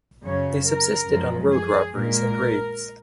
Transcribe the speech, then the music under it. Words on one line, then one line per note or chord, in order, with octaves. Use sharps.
They subsisted on road robberies and raids.
F#2 C#3 F#3 C#5
A#4
F#2 F3 G#3
G#4
A#2 G#3 A#4